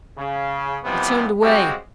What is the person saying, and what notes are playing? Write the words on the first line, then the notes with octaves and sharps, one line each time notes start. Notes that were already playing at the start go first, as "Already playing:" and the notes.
He turned away.
C#3
D#2 C3 E3 F3 G3 B3
C#3 G3 G#3 C4 F#4 G4